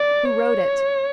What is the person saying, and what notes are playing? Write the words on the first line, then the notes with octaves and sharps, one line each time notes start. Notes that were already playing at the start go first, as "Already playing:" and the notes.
"Who wrote it?"
Already playing: D5
C#5